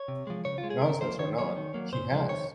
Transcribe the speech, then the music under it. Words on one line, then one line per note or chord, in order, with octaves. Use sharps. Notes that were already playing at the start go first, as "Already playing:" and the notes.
Nonsense or not, she has!
Already playing: C#5
C3
F3 G#3
C#3 C#5
F4
G#3
G#4
C#3 A#4
F3 A#3 C5
D#3 C#5
F#3 A#3 C#5
D#3
F#3 A#3
A#2 C5
F3 G#3
D#3 C#5